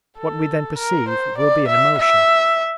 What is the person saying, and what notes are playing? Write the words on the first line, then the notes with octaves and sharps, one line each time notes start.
What we then perceive will be an emotion.
A4
A#4
C5
D5
E5
E5